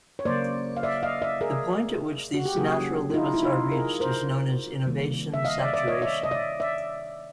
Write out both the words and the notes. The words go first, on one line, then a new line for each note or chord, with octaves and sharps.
The point at which these natural limits are reached is known as "innovation saturation".
C#5
C#3 F#3 A#3 C5 D5
F5
D5 E5
D#5 F5
D5 E5
G#4 A#4
F#4
G4
C#3 F#3 A#3 F#4 G#4
E4
D#4 F4
E4
D#4 F4
G#4 A#4
A#4 C5
C3 D#3 G3 A#3
E5
D#5 F5
D5 E5
D5 E5
C#5 D#5
D5 E5
D#5
D5 E5
D5 E5